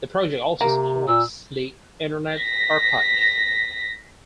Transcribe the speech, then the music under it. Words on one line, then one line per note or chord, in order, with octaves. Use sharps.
The project also supports the Internet Archive.
C3 A#3
A#2 E6
A#6 B6